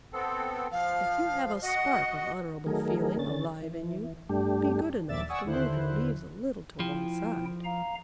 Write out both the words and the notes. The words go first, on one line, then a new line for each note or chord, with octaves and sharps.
If you have a spark of honourable feeling alive in you, be good enough to move your leaves a little to one side.
B3 C4 A4
F3 F5
F#4 D#5 F#5
D#3 F#3 A3 G#4 A#4
D3 C#4 A6
E3
G2 G3 A3 D4 G4
A#1 D#2 D5 E5 A6 E7
D5 F#5 G#5 C#6 D#6 E6
D#2 D3 E4 C5 F#6
F3 E4 G5
F5 A#5